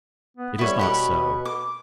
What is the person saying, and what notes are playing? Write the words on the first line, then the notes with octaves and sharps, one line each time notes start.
It is not so.
B3
G3 E4 C#5
B2 G4 B4 C#5
D6